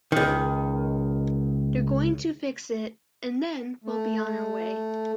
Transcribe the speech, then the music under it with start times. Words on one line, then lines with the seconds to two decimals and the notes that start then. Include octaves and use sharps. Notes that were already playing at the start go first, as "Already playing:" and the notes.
They're going to fix it, and then we'll be on our way.
0.12 C#2 D#3
3.84 A3